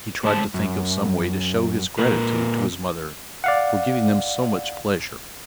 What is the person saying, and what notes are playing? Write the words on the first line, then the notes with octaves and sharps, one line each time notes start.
He tried to think of some way to show his gratitude to his mother for giving them so much pleasure.
A2 G#3 C5 A5
F#2
A#2 A#3 A#4 B4
D5 F5 F#5